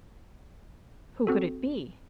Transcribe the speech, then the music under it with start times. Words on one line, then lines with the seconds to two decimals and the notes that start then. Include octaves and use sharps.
Who could it be!
1.27 C4 F#4 A4